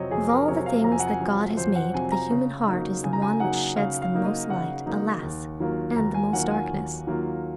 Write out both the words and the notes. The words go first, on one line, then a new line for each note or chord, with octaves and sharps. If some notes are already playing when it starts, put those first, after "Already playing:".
Of all the things that God has made, the human heart is the one which sheds the most light, alas! and the most darkness.
Already playing: F2 C3 F#3 C4 C#5 D#5
F2 G#4
A#4
C3 F#3 C4 C#5
F5
F2 A#5
G#5
F#5
G#5
C3 F#3 C4
F2 C5
F#5
C3 F#3 C4 G#5
A#5
C#3
F#3 A#3 D#4
C#3 G#5
A#5
G#5
F#3 A#3 D#4 F#5
C#3 F5
F5
F#3 A#3 D#4
D#5
C#3 F#5
F#3 A#3 D#4
D#2
D#3 F#3 A#3 F4
D#2 A#5
G#5
D#3 F#3 A#3 F4 F#5
G#5
D#2
D#3 F#3 A#3 F4